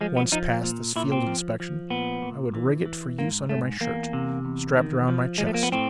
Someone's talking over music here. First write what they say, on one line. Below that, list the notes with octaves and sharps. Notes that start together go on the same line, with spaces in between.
Once past this field inspection I would rig it for use under my shirt, strapped around my chest.
F3 G#3
B3
F3 D#4
A#2
A#2 E4
C4
F3
F3
A#2 B3
A#2
E3
E3
G#2 A#3
G#2 A3
E2 A#3
C3
E2
D#3
F3
F3 G#3
A3
A#3
B3
A2 C4